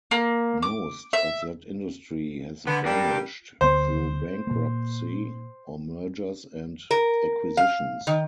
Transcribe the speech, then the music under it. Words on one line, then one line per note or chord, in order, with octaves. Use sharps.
Most of that industry has vanished through bankruptcy or mergers and acquisitions.
A#3
D6
E5
D3 B3
G3 A#3 D4 G4
D2 B3 C5
A#2 A#3
A#4
F5
D#3